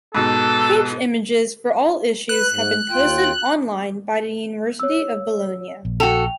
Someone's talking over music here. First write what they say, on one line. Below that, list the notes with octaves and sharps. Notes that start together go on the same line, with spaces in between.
Page images for all issues have been posted online by the University of Bologna.
G#2 B2 A4
B4 F#6
G#2
D#2 F4 G5
C#5 E6
A#1
F#4 A4 G5 F7